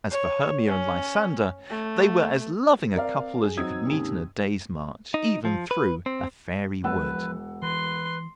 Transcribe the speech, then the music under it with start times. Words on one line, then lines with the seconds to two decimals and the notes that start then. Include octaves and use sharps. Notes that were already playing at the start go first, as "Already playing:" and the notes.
As for Hermia and Lysander, they were as loving a couple as you could meet in a day's march, even through a fairy wood.
0.11 C#5
0.67 C#4
1.70 A3
2.94 C4 A#4 D5 F5
3.44 G#4
3.57 F#3 C4 D#4 D#6 E6 G#6
3.85 D#2 G#2 C3 D#3 C#4
5.14 D#4
5.45 F3
5.71 B4
6.06 C4
6.84 E1 F3 B3 B4 F#5 E6
7.62 E3 B4 C6